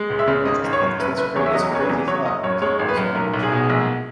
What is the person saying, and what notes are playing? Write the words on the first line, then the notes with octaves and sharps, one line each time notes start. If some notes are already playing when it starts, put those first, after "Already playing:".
It's that's that's cra it's a crazy thought because I've always wanted to check it out.
Already playing: G#3
C#2
E5
C#3
G#1 D#5
G#1
C#5
F#2
F#1 B4
F#1 B4
E2 C#5
E5
F#3 D#5
E1 C#5
B4
E2
F#3 C#5
F#1 D#5
F#2 C#5
G#3 C#5
G#1
B4
F#2
B1 A#4
B1
G#4
B2
A#1